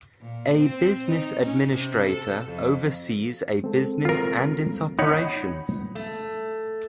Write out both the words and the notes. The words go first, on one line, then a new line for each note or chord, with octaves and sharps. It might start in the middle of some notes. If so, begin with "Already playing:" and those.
A business administrator oversees a business and its operations.
A#2
C4
D#4
C#4
C3
A4
F2
G#3 C4 A4
F4 A#4
D#4 C#5 F#5 B5
A3